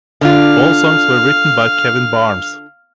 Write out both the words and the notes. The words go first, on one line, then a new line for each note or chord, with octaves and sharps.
All songs were written by Kevin Barnes.
D3 D4 F4 F5